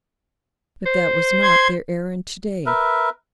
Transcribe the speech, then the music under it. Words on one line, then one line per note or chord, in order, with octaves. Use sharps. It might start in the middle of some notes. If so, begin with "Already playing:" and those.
But that was not their errand to-day.
C5
C6 G#6
A#4 B4 E5